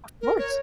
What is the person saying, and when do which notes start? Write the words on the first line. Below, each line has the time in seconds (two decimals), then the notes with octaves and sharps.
Of course.
0.22 A#4
0.38 C#5